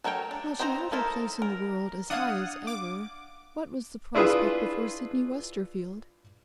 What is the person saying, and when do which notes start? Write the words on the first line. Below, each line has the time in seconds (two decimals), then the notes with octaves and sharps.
While she held her place in the world as high as ever, what was the prospect before Sydney Westerfield?
0.04 F#3 A3 A#4 C#5 G5
0.31 D4
0.59 C4 D#4 C5 D5 A#5
0.92 D#4 E4 A4 A#4 C5
1.42 A#4
2.10 D4 F5 F#5 D#6 G#6
2.67 D6
4.15 D4 E4 F4 G#4 B4